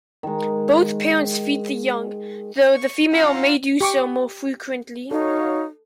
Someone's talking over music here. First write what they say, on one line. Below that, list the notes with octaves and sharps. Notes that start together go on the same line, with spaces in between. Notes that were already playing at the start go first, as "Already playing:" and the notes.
Both parents feed the young, though the female may do so more frequently.
D#3 G#3
C#6
C#4 D#4 F4 F5 F#5 A#5
G4 C#6 D6
D#4 F#4 A4 C#5 F5